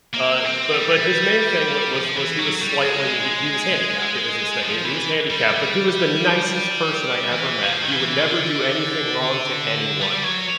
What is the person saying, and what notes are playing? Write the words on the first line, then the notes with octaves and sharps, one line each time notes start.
Uh, but but his main thing w was was he was slightly he he was handicapped i is his thing. He he was handicapped, but he was the nicest person I ever met, he would never do anything wrong to anyone
A#3
C4
G3
F3
E3
F#3
G3
G#3
F3
E3
G3
G3
E3
F3
D#3
E3
D3
G3
F#3